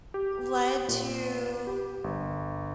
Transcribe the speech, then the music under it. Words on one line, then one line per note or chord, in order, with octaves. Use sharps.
led to
G4
A#2
G4
G1